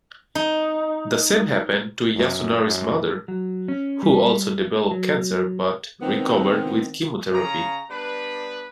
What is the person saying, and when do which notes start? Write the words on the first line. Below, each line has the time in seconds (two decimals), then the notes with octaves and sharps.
The same happened to Yasunari's mother, who also developed cancer but recovered with chemotherapy.
0.35 D#4
2.15 F#2
2.66 F#2
3.28 F#3
3.68 C#4
4.03 G3
4.91 F#3
6.01 D#3 B3 C4
7.33 C#3 A#5
7.90 G3 B3 D4 B4